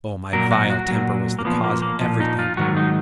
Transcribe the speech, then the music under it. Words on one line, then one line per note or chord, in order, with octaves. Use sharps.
Oh, my vile temper was the cause of everything!
A#2 F#3 A#4
F#4
F#4
A#2 F#3
A#3
A#2 F3 B3
A#3
A#3
A#2 F3
D#4
F4
G#2 D#3 F#3 F#4
D#4